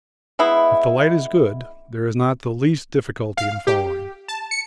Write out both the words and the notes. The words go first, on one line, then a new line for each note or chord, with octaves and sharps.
If the light is good there is not the least difficulty in following.
G#3 B3 E4
F5
G4
A5
C#7